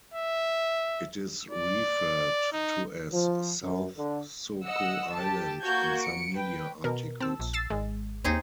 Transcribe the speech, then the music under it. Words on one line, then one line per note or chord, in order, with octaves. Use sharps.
It is referred to as South Soko Island in some media articles.
E5
D5
D#4
F3
F#2
D3
D#5 F#5 E6
G4 A5
A#3 F#4 G6 G#6
C#7 D7
B4 G5
B2 A#4
C4 A5 E6
A#1
E6 A6 C7
G#1 G#3
D#2 C4 D#4 G#4